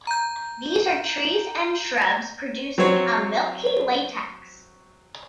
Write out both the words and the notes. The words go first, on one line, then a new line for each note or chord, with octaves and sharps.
These are trees and shrubs producing a milky latex.
A#5 G6
F#3 C4 C5 C#5